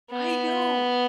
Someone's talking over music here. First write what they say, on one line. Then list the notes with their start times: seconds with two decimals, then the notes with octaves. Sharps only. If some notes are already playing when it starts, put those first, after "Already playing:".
I know.
0.11 B3